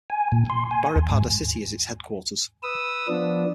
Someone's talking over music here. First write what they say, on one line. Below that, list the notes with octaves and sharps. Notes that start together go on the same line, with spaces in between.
Baripada city is its headquarters.
G#5
A#2
C6
G#5
D#2
G#2
B4 D#6 E6
F3 B3 D4